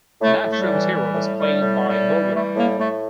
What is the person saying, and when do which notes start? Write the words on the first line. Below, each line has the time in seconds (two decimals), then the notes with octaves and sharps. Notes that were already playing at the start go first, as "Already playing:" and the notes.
That film's hero was played by Bogart.
0.21 A2 A3
0.44 A2
0.52 A3
0.57 G3
0.68 E3
0.91 G3
1.15 A2
1.38 G3
1.62 A2
1.86 G3
2.08 E3
2.32 G3 A3
2.56 A2 A#3
2.79 A2 A3